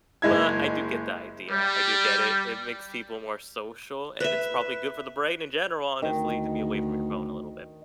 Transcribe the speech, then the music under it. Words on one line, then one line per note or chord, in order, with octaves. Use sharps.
but I do get the idea, I do get it, it makes people more social and it's probably good for the brain in general, honestly, to be away from your phone a little bit.
F#1 G#3 E4 G#6
G3
B4 E5
D2 D#3